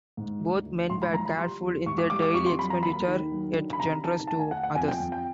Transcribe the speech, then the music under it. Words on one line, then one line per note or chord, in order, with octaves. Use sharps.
Both men were careful in their daily expenditure, yet generous to others.
G#2
D2
D2
G#2 C6
B5
F3 A#5
B5
G3 C6
E2
G#2 C#6
D6
G3 D6
D6
F2 C#6
C6
F#3 B5
A#5
D#2 B5
D#3
F#3
D3
B5
C3 A#5
D#3 A5
D2 A5
G#5
D2 F#5
F#5
F2 G#5
G5
F2
G5